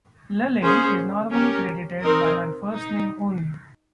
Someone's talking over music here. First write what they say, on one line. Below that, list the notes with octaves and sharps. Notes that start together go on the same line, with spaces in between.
Lalaine is normally credited by her first name only.
A#3 C#4 G#4 C5
C#4 G4 A#4
C4 D#4 A#4
D#4